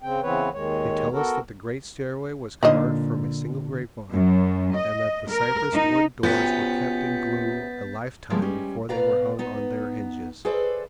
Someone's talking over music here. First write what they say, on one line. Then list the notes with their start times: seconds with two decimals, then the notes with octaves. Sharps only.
They tell us that the great stairway was carved from a single grapevine and that the cypress wood doors were kept in glue a lifetime before they were hung on their hinges.
0.02 C#3 C4 G5
0.22 C#3 E3 B3 C4 B4 C#5
0.53 D#2 D#3 G#3 C#5
1.12 B3 F#4 A4 A#4
2.63 A#2 D3 D#4 C5 D#5
4.12 F#2
4.76 D#5
5.29 A#4
5.73 D#4
6.23 C3 B3 C#4 F4 F#4 G6 A6 B6
8.30 C3 F3 G3 G#3 A#3 B3
8.42 G3 G#3 C#4
8.89 B2 B3 B4 D5 F5 A#5
9.39 B3 D#4
10.45 G#4 A4 B4 C5 D5 E5